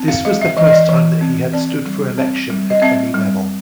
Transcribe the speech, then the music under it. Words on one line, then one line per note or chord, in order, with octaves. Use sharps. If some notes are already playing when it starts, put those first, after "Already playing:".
This was the first time that he had stood for election at any level.
Already playing: C4
F5
G#3 F5
E5
E3 D#5
D#5
D5
E3
C4
C4 D5
G3
C4
G3
D#5
C4 E5
G3